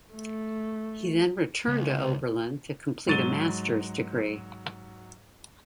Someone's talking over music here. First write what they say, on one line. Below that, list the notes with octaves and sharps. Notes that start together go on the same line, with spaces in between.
He then returned to Oberlin to complete a master's degree.
A3
C#2
G#2 F#3 A6 D#7 G7